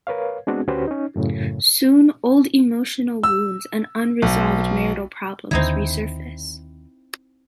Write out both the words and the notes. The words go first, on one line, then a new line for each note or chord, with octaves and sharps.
Soon old emotional wounds and unresolved marital problems resurface.
A#4 B4 C#5 F5
G#3 B3 C4 D4 F#4 G#4
D2 C#4 F#4 G4 B4 C5
C#4 D#4
F#2 A2 C#3
E6
B1
D#2 D3 C4 D#4 E4